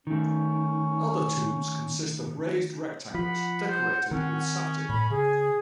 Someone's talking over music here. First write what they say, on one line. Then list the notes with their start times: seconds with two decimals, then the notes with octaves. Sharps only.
Other tombs consist of raised rectangles, decorated with satin.
0.07 D#3 A3 C#4
3.15 F3 F#5 B5
3.68 C5
4.11 D#3 C4 C#4
4.89 A2 B5
5.10 C#3 G#4